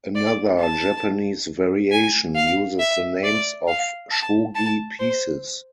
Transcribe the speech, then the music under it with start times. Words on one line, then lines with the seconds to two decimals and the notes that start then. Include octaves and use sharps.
Another Japanese variation uses the names of shogi pieces.
0.15 D5
0.60 A5
1.92 G#5
2.35 F5
2.80 E5
3.24 D5
3.68 F5
4.11 A5
4.55 A5
4.99 C5